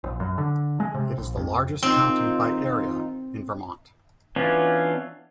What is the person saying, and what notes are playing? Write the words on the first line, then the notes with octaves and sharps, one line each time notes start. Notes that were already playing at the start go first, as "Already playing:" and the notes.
It is the largest county by area in Vermont.
A#1
F#2
D3
G#3
C3
A#1
F2
D#3 C4 D#4 F4
E3 B3 C#4 D4 F4